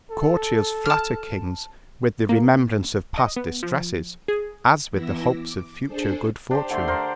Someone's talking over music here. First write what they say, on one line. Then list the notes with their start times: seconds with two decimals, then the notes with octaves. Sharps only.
Courtiers flatter kings with the remembrance of past distresses, as with the hopes of future good fortune.
0.11 A4
0.85 A5 F6
2.29 A#3
3.18 D#5
3.36 B3
3.63 F3
4.28 G#4
4.90 E3 B3 E4 E6 A#6
5.31 D6
5.86 D4 G#4 A4 C5
6.51 D4 G4 C5
6.70 D3 A3 D5 C6
6.88 A#4 C5